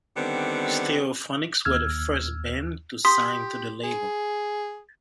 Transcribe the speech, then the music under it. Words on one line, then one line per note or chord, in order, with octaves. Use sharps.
Stereophonics were the first band to sign to the label.
D3 D#3 G3 B3 C4
D#2 E6 F6 G#6
G4 C6 D#6 B6
G#4